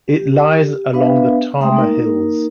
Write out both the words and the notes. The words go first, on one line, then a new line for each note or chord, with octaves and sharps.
It lies along the Tama Hills.
G4
B3 D4 B4 E5 F5
G#3 A3 E5 G5 C6 D#6
A#3 D#4 A#4